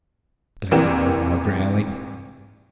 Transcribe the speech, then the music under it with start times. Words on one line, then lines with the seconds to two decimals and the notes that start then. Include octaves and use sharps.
Don't mind my growling.
0.71 A#1 C3 E3 A#4 G5 E7